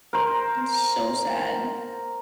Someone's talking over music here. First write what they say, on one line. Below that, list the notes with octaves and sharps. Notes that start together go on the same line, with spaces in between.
It's so sad.
A#4 C5